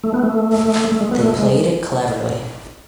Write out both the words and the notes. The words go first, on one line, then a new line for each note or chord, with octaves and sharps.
They played it cleverly.
A3
B3
A3
A3
G#3
B3
A3
G#3